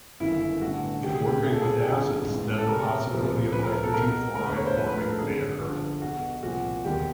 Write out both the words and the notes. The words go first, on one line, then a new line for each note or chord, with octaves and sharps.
If working with acids then the possibility of hydrogen fluoride forming may occur.
G1 F#2 D#3 E4
A1 G2 D3 F#4
D2 C3 D#3 G4
G#4
G4
B1 B2 G#4 A4
G#4
G4
G1 F2 D3 G#4
A1 G#2 E3
A4
E1 E2 C3 A#4
C#2 C3 F3
C#2 C#3 F3 B4
A#4
A#4
A4
B1 B2 A#4
E1 D2 D3 A#4
B4
C#5
C5
A#1 A2 F3 B4
B4
A#4
A4
G#1 F#2 D3 G#4
G1 G2 D3 F3
B1 B2 F#4
C2 A#2 F3 F#4
E1 D#2 D#3 G4